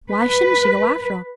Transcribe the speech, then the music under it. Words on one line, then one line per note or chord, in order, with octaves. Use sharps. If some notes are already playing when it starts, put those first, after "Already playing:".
Why shouldn't she go, after all?
B4